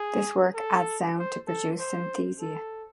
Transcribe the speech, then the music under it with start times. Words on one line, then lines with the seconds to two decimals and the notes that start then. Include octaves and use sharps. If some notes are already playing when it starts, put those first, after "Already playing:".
This work adds sound to produce synesthesia.
Already playing: G#4
0.54 A4
1.17 C5
1.47 A4
1.79 C5
2.40 A4